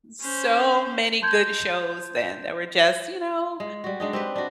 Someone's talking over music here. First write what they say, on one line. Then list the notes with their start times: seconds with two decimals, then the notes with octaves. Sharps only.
So many good shows then that were just, you know
0.21 C#4 C5
1.22 A5 C6 G6 G#6
3.60 G#3
3.84 G3 F#4
4.00 G#3 D4 D#4
4.13 C4 G4 B4
4.36 D4 F#4